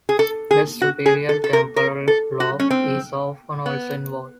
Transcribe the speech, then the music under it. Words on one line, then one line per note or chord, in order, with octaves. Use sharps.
The superior temporal lobe is often also involved.
G#4
A4
G#4
F#4
G#4
A4
A4
A#4
A#4
A4
F#4
C#4
C4
B3